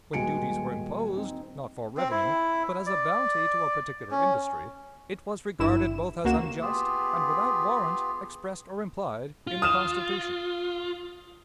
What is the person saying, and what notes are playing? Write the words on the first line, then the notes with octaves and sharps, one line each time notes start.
When duties were imposed, not for revenue, but as a bounty to a particular industry, it was regarded both as unjust and without warrant, expressed or implied, in the Constitution.
D#1 G#3 F#4 G#5 C#7 D7
C4 D#4
C4
E4
D5
C#4
G#1 G2 E4 E7
C#2 A#3 F#4 E7
B3 F4 G4 G#4
F4
D#6 F6 E7